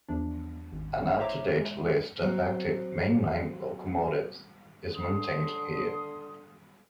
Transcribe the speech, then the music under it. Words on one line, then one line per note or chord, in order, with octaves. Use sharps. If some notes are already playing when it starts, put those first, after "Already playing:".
An up-to-date list of active mainline locomotives is maintained here.
E2 F3 D4
G#1
E4 C5 C#5 E5 A#5 D6
G#3
F#3 C4
D3 C6 D#6